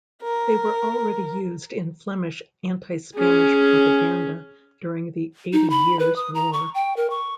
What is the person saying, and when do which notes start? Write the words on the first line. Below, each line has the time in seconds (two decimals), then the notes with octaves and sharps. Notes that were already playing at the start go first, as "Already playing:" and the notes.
They were already used in Flemish anti-Spanish propaganda during the Eighty Years' War.
0.23 A#4
3.16 C#4 G#4
5.53 D#4
5.70 B5
5.99 B4
6.16 D#6
6.35 A#5
6.53 C#6
6.74 G5
6.97 A#4
7.10 C#6